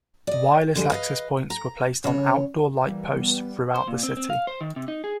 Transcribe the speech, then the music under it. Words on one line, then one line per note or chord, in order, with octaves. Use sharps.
Wireless access points were placed on outdoor light posts throughout the city.
D5 D#5
D3 G3 G#3
B4 D#5 F5
A#5
C#3 C#5
E3 G3 A#3
G3 B3
C5
A#2
C4
C4
F5
C5
D#3
C3
D#4
G#4